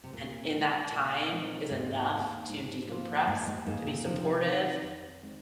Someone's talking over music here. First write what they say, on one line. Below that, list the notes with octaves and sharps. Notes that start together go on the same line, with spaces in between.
And in that time is enough to decompress, to be supportive,
C3
D#2 A#2
D#3 G#3
A#2
G#3 C4 D#4 A#4
D#2 G#2
D#3 A#3
G#2
F3 A#3 F4
D#2 G#2
G#2
G#2 D#3 A#3 G#4
C3
C3 D#3 F3
C4 D#4 A#4
F2
D#3 G#3 C4